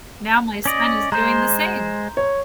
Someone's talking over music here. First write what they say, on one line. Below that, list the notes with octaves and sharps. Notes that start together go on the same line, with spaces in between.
now my son is doing the same,
C#4 D5 D#5
G#3 C5 A#5 C6 G6
C#5